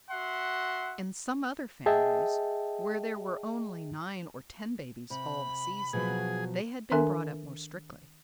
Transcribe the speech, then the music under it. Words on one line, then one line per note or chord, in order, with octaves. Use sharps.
In some other families, where there were only nine or ten babies all the season, they had been brought up more strictly.
F#4 E5 F#5 C6
G#4 D#5 E5 G5 A5
C3 B5
B2 F3 F#3 G#4
D#3 D4 A4 A#4 E5 G#5